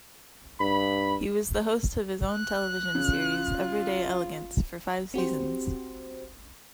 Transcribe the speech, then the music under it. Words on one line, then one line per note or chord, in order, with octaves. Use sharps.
He was the host of his own television series "Everyday Elegance" for five seasons.
G2 B5
F#6
C#3 F4
C4 F#4 G4 C5